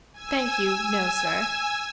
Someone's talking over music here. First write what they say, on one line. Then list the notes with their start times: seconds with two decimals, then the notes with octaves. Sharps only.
"Thank you, no, sir."
0.12 G#5 E6